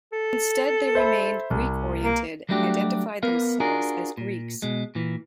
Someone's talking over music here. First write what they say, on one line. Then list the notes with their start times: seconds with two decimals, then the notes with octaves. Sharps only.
Instead they remained Greek-oriented and identified themselves as Greeks.
0.12 A4
0.95 C5 E5 B5
1.50 C2
2.04 A#3
2.49 F#3 G3 A3 D4 F#4 G4
3.23 B3 A#4 B4 F5
3.60 D4 F4 F#4 G#4 A#4
4.18 A#2
4.62 B2 G#3
4.95 A#2 E3